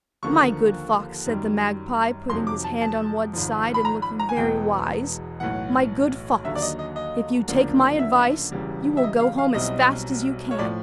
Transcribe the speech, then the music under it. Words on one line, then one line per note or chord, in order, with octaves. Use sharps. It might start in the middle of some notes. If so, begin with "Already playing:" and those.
'My good fox,' said the magpie putting his head on one side and looking very wise--'my good fox, if you take my advice, you will go home as fast as you can.
D#2 D3 F3 A#3 C#6
F#2 D#3 G3
F2 C3 D#3 F#3 C6
D6
A5
A5
G#1 G#2 F3
B5
A#5
B5
A#5
G#5
E1 E2 B2 G#3 B3 G5
B1 A2 E3 F#5
D#2 D3 F#3 E5
D5
D#5
D#5
D#5
D2 C#3 F3 A#3 D4
E5
E1 E2 C#3 E3 G3
E5
D#5
F5
F5
B1 B2 G3 C4 E4 D#5
C#5
A2 F3 D5